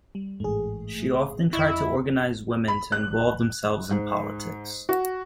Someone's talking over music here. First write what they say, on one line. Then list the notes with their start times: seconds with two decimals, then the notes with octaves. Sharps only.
She often tried to organize women to involve themselves in politics.
0.15 G3
0.40 A1 G#2 A3 G#4
1.53 F2 E4 D#5 C#6
2.68 B5
2.92 F#6
3.91 G#2
4.89 F#4